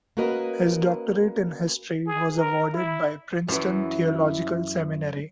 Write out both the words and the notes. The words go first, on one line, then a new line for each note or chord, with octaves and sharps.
His doctorate in history was awarded by Princeton Theological Seminary.
A#3 C#4 F#4 A#4 B4 D#5
G#4
A#4
E4
F#2 E3 E4